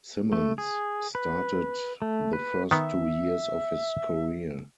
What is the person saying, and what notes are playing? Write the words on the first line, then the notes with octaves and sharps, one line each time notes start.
Simmons started the first two years of his career.
A3
G#4
B4
A3
B4
D#3 B3 E5